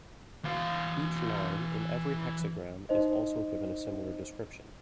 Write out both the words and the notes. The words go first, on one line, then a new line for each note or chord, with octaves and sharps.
Each line in every hexagram is also given a similar description.
E3 F5
D#4 C5 D#5